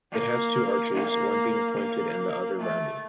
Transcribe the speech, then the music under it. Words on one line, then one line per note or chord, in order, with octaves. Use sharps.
It has two arches, one being pointed and the other rounded.
A#3
A#3
A#3
A3